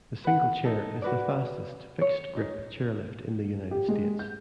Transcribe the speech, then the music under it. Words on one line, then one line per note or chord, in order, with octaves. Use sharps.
The Single Chair is the fastest fixed-grip chairlift in the United States.
B4 F#5
D#4 A4
F#4 B4 D5
C#5
D#4 G#4
G4
G#3
G6